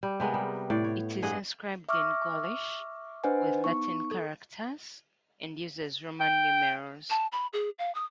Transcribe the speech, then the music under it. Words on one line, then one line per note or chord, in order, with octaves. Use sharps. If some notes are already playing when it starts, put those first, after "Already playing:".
It is inscribed in Gaulish with Latin characters and uses Roman numerals.
G3
C3 G#3 B3 A#4
G3
A2 D5
C#5
G2 G#4 D#5 F#5
E5 C#6 D6 E6 F6
D4 B4 C5 D#5 F#5 G#5
B3 D#4 C#6
A4
G5
A5
B5
G#4
F5
D#6